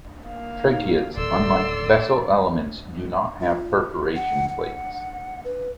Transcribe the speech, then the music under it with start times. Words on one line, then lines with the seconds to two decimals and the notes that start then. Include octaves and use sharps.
Tracheids, unlike vessel elements, do not have perforation plates.
0.24 A#3 F5
0.64 D#4
1.17 D1 D#2 A4 D5 C6 E6
3.41 F4
4.16 F#5
4.49 F#5
5.45 B4